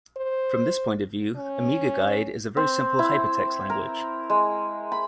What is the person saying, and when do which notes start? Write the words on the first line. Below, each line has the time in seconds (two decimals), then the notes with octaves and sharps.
From this point of view, AmigaGuide is a very simple hypertext language.
0.17 C5
1.36 C#4
2.57 C4
2.99 E4
3.70 A#4
4.30 G#3
4.92 B5